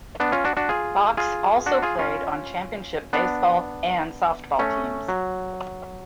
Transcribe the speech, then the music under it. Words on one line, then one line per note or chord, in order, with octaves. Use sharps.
Box also played on championship baseball and softball teams.
B3 D4
C#4 F4
D4 F#4
D4 F#4
F4 G#4
F4 G#4
D4 F#4
F4 G#4
C#4 F4
B3 D4
A3 C#4
F#3